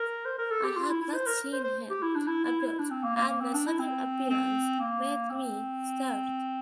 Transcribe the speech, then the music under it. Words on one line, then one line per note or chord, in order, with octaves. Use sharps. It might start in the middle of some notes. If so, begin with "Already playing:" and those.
I had not seen him approach, and the sudden appearance made me start.
Already playing: A#4
C5
A#4
A4
G4
F4
E4
E4
C5
A#4
C5
C5
G4
E4
D4
E4
E4
E4
D4
C4
A#3
A#3
A#3
C4
D4
E4
C4
C4
A#3
C4